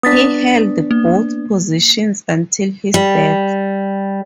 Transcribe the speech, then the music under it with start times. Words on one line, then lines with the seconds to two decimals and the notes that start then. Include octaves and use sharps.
He held both positions until his death.
0.03 B3 D4 D#6 A6 B6
0.91 A#3
2.94 G3